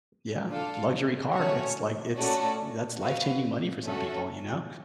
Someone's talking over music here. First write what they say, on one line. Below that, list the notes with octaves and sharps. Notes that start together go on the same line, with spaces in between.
yeah, luxury car. It's like it's that's life-changing money for some people, you know?
D4 F4 A4 F5
A3 C#4 F#4 C#5
A3 C#4 F#4 A4 D5
F#4 B4 F5
A3 C#4 F#4 A4